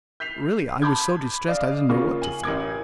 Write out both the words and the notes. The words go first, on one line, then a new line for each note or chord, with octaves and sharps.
Really I was so distressed, I didn't know what to think.
G6 B6 C7 F7
A5 B5 C6 D6 G6 G#6
D5 D#5 F5
C#3 A#3 F4 C#6
G#5 F#7
A1 A#4 D6 G#6